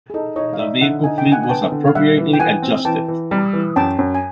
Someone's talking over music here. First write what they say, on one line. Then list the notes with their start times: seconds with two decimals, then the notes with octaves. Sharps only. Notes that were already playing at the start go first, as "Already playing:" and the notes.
The vehicle fleet was appropriately adjusted.
0.10 G#4
0.14 D#4 A4
0.36 D#4 C#5 D#5
0.53 F5
0.58 D#4 D5 E5
0.81 D3 E5 F#5
1.04 D#4 G#5
1.18 G5
1.26 D3
1.32 F#5 G#5
1.43 G#5
1.49 B3 G5 A5
1.72 D3
1.87 F5
1.95 G3 E5 F#5
2.18 E3
2.33 G5
2.40 E3 F#5 G#5
2.62 C4
2.85 E3 G5 A5
3.08 E3
3.31 G3
3.53 E3
3.76 F#2 G5 A5
3.99 F#2
4.14 G#5